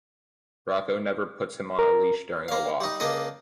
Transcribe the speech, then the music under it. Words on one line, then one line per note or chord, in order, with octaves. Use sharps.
Rocko never puts him on a leash during a walk.
A#4
A#3 F5
G3 D#4
C#2 A#3 D4 D#5